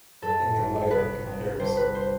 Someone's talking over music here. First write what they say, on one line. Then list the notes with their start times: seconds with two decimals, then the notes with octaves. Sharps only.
in the light of comparison,
0.22 F#2 A4
0.56 G1
0.91 C2 B4
1.26 C2
1.60 G1 C5
1.77 B4
1.95 C5